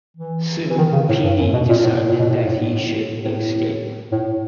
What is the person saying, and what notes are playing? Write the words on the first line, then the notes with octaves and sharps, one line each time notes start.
Soon, Petey decided that he should escape.
E3
E3
D#3
C#3
A2
G2
F#2
B2
A#2
A2
A#2
B2
A2
G#2
A2
A2
A2